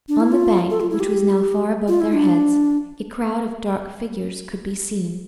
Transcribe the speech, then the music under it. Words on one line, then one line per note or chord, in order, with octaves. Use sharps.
On the bank, which was now far above their heads, a crowd of dark figures could be seen.
D4
E4
F4
A4
F4
E4
G4
F4
E4
D4